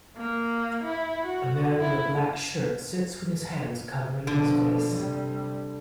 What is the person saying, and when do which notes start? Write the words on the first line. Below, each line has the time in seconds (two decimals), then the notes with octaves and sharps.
A man in a black shirt sits with his hands covering his face.
0.17 A#3
0.84 E4
1.25 F#4
1.79 E4
4.27 B2 D3 F3
4.94 C3 G3